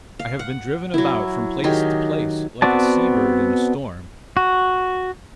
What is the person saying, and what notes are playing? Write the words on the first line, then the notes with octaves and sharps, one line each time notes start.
I have been driven about from place to place, like a seabird in a storm.
F5
F#5
F#3 E4
D#3 F#3 G4 G#4
B3 C4 F#4 D5 A5
F#4